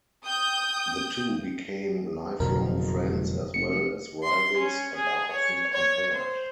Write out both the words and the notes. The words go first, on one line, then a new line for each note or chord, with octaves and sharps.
The two became lifelong friends as well as rivals and are often compared.
G5 D#6 G6
F#1 F2 B2 D3 A#4
F1 C#7
C6
C#4
G#4
C#5
C#5
C5